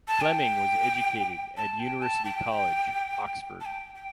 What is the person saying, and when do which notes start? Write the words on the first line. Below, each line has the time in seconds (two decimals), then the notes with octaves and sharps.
Fleming was educated at University College, Oxford.
0.08 A5
0.21 G5
1.57 A5
1.80 G5
2.02 A5
2.25 G5
3.61 A5
3.65 G5
3.95 G5